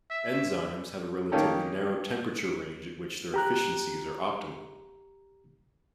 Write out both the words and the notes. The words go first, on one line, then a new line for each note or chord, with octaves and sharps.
Enzymes have a relatively narrow temperature range at which their efficiencies are optimal.
E5
D#3 A#3 C#4 G4 A4
G4 A#5 F#6